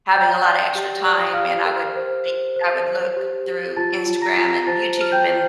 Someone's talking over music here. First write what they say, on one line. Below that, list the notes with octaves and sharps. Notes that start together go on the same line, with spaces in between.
having a lotta extra time, and I would think I would look through Instagram and YouTube, and
D5 G5 G6
D5
G4
D5 F6
D#6
G4 F5 F6
A#4
C5
C5
C5
C5
G4
G4
F4 A5 A6
F4
A#5 A#6
F4
C5 A5 A6
C5 F6
G5 G6
C5